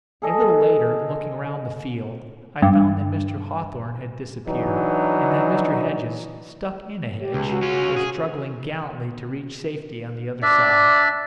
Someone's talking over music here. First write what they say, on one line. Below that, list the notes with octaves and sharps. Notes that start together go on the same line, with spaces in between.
A little later, looking round the field, I found that Mr. Hawthorn had disappeared, and that Mr. Hedges, stuck in a hedge, was struggling gallantly to reach safety on the other side.
G#4 A4 D#5
G2
E3 F#3 D4 D#4
G4
C#2
F#4
C#4 F4
G#4
D4 D5 E5